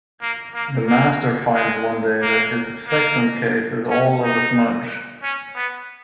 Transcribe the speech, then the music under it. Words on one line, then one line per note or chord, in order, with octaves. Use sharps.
The master finds one day that his sextant case is all of a smudge.
A#3
A#3
A#3
G#3
A#3
A#3
C#4
D#4
C#4
B3